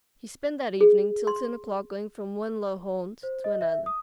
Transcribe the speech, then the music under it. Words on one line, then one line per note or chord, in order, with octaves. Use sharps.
He spent that evening till ten o'clock going from one low haunt to another.
G#4
C6
C5
D#5
E5
D#6